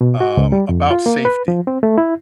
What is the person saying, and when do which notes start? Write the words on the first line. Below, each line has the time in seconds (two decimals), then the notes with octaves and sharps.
um, about safety
0.01 B2
0.21 F#4
0.37 C#2
0.52 G3
0.69 F2
0.91 F4
1.06 A#3
1.25 B4
1.48 F3
1.67 C4
1.83 A3
1.98 E4